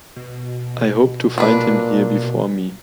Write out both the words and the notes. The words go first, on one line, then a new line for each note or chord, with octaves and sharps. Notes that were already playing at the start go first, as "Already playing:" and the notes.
I hoped to find him here before me.
B2
A#2 D4 B4